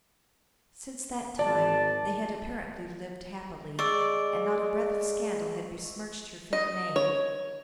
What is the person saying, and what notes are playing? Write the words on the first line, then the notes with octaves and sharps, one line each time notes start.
Since that time they had apparently lived happily, and not a breath of scandal had besmirched her fair name.
G#1 D5 A5
G#3 D5 C#6 E6
D#5
C#5